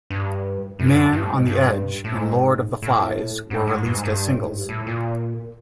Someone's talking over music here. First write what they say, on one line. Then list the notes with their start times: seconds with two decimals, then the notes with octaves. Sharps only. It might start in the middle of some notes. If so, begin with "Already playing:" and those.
"Man on the Edge" and "Lord of the Flies" were released as singles.
0.10 G2
0.79 F#2
0.87 G2
0.96 F#2
1.13 G2
1.25 A2
1.30 G#2
1.47 G2
2.04 A2
2.14 G#2
2.82 A2
3.50 G#2
3.67 G#2
3.85 G2
3.94 G#2
4.03 G2
4.33 A2
4.43 G#2
4.52 G2
4.69 A2
4.86 A#2